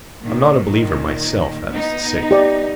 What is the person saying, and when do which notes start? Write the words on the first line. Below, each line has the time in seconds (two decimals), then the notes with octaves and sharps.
I'm not a believer myself, that is to say.
0.22 A#2 D#3
1.69 B3 D#4
2.31 G4 D5